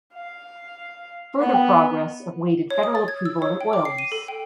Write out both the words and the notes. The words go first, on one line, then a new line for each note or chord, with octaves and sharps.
Further progress awaited federal approval of an oil lease.
F5
B3
C#5
D#6
A6
G#6
E6
C#5
G5
D6
C7
D#7
A4
G5